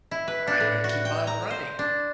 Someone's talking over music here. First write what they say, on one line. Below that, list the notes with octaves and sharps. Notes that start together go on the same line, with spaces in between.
I I keep on running.
E4
B4
D4
A2
F#4
G5
A#5
C5
D4